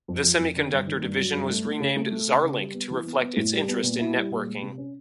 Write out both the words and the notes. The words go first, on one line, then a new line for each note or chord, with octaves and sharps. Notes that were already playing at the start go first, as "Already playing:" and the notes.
The semiconductor division was renamed Zarlink to reflect its interest in networking.
F2
F3
F2
D3
G2
D#3
G2
F#3
G2
A3
A3
C#3
A3
A3
C#3
C#3
G3
B3
E3
B3
B3
A2
G3
B3
A#2
E4
G3
A#2
G#3
C3
C#4